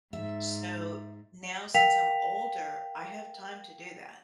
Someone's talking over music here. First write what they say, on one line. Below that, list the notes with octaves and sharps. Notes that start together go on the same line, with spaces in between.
So, now since I'm older, I have time to do that.
G#2 E5
A#4 F5 G5 B6 F7